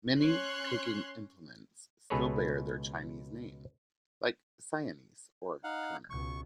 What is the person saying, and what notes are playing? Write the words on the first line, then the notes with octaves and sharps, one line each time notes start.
Many cooking implements still bear their Chinese name, like sianse or turner.
C#4 C#5 C6 F#6
C#2 B2 G#4 A4 B4 C#5
D#4 F5 F#5
C#2 B2 C#6